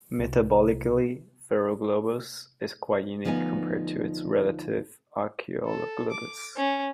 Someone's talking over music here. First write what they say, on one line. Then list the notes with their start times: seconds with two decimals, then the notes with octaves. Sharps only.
Metabolically, "Ferroglobus" is quite unique compared to its relative "Archaeoglobus".
0.18 C2
3.25 D2 F3 B3 D#4 G5 G#5
5.66 A4
6.11 D6
6.57 C#4